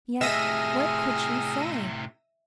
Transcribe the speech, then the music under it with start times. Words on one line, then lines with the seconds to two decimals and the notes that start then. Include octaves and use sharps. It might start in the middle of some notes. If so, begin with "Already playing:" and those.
Yet what could she say!
0.21 A2 C3 G#4 E5 E6 F6 A#6 D#7